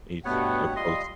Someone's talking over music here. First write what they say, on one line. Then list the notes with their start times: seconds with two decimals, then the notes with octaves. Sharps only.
he's a close
0.25 G2 B2 A3 B3 G4 C#5 F#5
0.76 G3 F4 D#5 C6